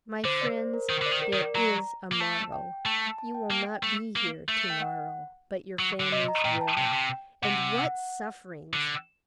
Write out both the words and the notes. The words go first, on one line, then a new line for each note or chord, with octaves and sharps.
My friends, there is a morrow; you will not be here to-morrow, but your families will; and what sufferings!
D3 C5
D5
C5
A#4
D#3 C5
D3 D5
D#3
A#4
D#3
D5
F#3 A#5
A#3
A3 A5
G5
A3 A5
A5
A5
G5
A#3
A3
A#3
A3
G5
F#5
F#3
D3
C3 D#5
A#5
A#2 G5
A5
C3 G5
A#2
C3
C3 F#5
F#5
D3